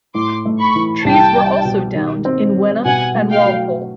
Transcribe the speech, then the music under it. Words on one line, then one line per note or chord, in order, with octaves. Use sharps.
Trees were also downed in Wenham and Walpole.
A2 C6 D6
A3
B5 C#6
E3
C2 G5 A5
G3
B2
D#3
C4
G3
B2 F#5 G#5
A3
F5 G5
F#3